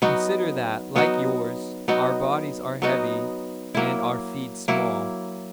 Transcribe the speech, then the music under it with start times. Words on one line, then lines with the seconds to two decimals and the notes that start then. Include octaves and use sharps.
Consider that, like yours, our bodies are heavy and our feet small.
0.02 F#3 B3 D#4 F#4
0.96 F#3 B3 D#4 F#4
1.88 F#3 B3 D#4 F#4
2.82 F#3 B3 D#4 F#4
3.75 F#3 A#3 E4
4.68 F#3 A#3 E4